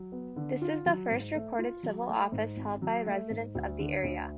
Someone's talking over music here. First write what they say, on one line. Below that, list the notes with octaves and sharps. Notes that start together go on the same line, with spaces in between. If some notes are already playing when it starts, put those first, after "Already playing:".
This is the first recorded civil office held by residents of the area.
Already playing: F#3
B3
D3
F4
F#3
G#2
A3
F4
F#3
A3
G#2
G#1
F#3
A3
G#2
D2
D3
D2